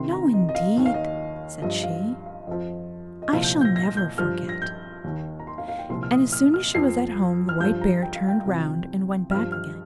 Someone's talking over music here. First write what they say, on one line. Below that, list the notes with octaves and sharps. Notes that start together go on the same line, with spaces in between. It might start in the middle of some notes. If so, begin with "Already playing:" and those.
"No, indeed," said she, "I shall never forget;" and as soon as she was at home the White Bear turned round and went back again.
Already playing: C2 C3 D#3 C6
A#5
D#5
D#5
F5
D#2 D#3 D#5
F5
D#5
G2 F3 D#5
F5
F5
F2 F3 D#5
D#5
C2 A#2 F3 F5
G6
G6
A#6
A#6
G6
G2 F3 F6
A#6
G6
D#2 D#3
A#5
C6
F5
F5
G5
C2 A#2 F3 C6
F6
D#6
F6
F6
F2 F3 C7
F6
G2 F3 G6
A#5
G5
F5
G5
C2 C3 F3
G2 F3 F6
F6